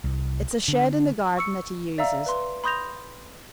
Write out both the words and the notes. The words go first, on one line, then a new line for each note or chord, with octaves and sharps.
It's a shed in the garden that he uses.
C2
D3
C#6 E6 C#7
D5 E5 F5 A#5 E6
B4 C6
B5 C6 D#6 G6 A#6 F7